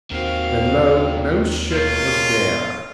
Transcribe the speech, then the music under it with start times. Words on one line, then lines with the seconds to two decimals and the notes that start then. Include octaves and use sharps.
When lo! no ship was there!
0.11 D#2 D#3 C4 F#4 F5
1.72 B2 G#3 F4 A#4 C#5